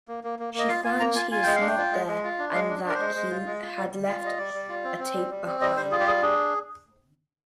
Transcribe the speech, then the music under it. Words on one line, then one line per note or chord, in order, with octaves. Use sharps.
She finds he is not there and that he had left a tape behind.
A#3
A#3
A#3
A#3 D#5
F4 F5
F4 G#5
A#3 A#5
F4 G#5
F4 G#5
G#3 G5
F5
D4
G5
F4
G#3
G#3
F4
D4
G#3 F5
D4
D4 A#4
C5
G#3
G#3
F4
G#3
F4
G3
G3
F4
G3 D#5
G3 D5
G3
F4
C4
C4
G3
G3
C4
G3 D#5
G3 C5
F4 G#4
G4
G3 G#4
D4 G#4